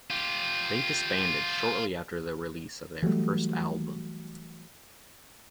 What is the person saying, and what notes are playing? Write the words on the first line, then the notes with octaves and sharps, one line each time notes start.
They disbanded shortly after the release of their first album.
F4 G4
E3 F#3 G3 A3